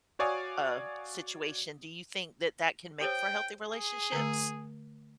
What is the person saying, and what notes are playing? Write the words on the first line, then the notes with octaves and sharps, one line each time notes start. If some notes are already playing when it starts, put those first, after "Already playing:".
uh, situation. Do you think that that can make for healthy relationships?
F#4 C#5 D5 F5 G#5 D#6
G4 C5 C#5 G5
G#4
D3 A3